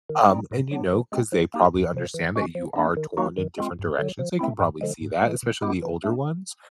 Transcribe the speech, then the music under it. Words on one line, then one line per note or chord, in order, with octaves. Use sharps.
Um, and, you know, 'cause they probably understand that you are torn in different directions, they can probably see that, especially the older ones.
D#3
G3 C4 D#4
A2
F#3 B3 D4
E3
G#3 C4
F3
A#3 D#4 G4
E2
C3 F3
E3
G#3 C#4 F#4
F3
A#3 D4
D#3
F#3 A#3 D#4 F#4
D#3
G#3 C4 F4
G2
D3 F#3
F3
A3 C4 E4
G2
D3 F3 G#3
G#2
E3 G#3
B2
G#3 B3 E4 G4
E3
A3 D4